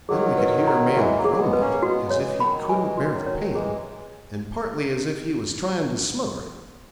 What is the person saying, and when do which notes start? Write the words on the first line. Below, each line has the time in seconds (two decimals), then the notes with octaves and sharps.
Then we could hear a man groaning, as if he couldn't bear the pain, and partly as if he was trying to smother it.
0.09 D#3 F#3 G#4
0.38 B4
0.67 A#5
0.96 E3 G#3 F#5
1.17 F#3 A#3
1.24 G#4
1.38 G#3 B3
1.53 B4
1.60 A#3 C#4
1.82 G#3 B3 F#4
2.07 F#3
2.11 E3 G#3 C#5
2.40 D#3 F#3 B5
2.68 E3 G#3 G#5
2.98 F#4
3.12 D#3 F#3
3.26 C#5
3.55 E3 G#3 G#4